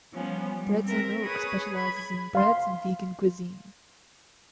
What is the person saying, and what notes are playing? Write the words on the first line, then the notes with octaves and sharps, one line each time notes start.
Breads On Oak specializes in breads and vegan cuisine.
F3 G3 B3 C#4
G3
C4 A#4 E5
G#4 B4 C#5 B5 D#6
B5 G#6
F5 C6